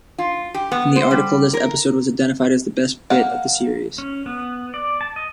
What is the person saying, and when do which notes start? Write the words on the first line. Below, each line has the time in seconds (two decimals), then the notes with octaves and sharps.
In the article, this episode was identified as the "best bit" of the series.
0.18 F4
0.54 G4
0.72 B3
0.96 C5
1.11 G3
1.53 A#4
3.10 A#3 F5 F#5
3.98 C#4
4.26 B3
4.74 D5
5.01 A5
5.16 D#5